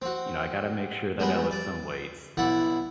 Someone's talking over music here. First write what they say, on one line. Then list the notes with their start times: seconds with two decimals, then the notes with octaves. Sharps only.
You know, I gotta make sure that I lift some weights,
0.02 C4 F#4
1.20 G3 G#3 B3 D4
1.51 D5
2.37 B1 E4 D5 F#5